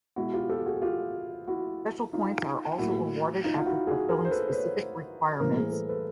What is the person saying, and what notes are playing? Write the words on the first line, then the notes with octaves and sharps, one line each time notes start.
Special points are also awarded after fulfilling specific requirements.
B2 G#3 E4 F#4
F4 G4
G4 A4
F#4 G#4
F4 G4
E4 F#4
D#4 F4
A2 F#3 A#3 E4 F#4
D#4 F4
F4
E4 F#4
F#4 G#4
G#4 A#4
C5
A4 B4
C5
B4 C#5
A2 E3 G3 A#3 A#4 C5
G#4 A#4
A4 B4
A4 B4